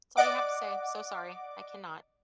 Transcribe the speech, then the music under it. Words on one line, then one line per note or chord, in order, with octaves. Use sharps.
That's all you have to say, "So sorry, I cannot."
D5 D#5 F#5 D6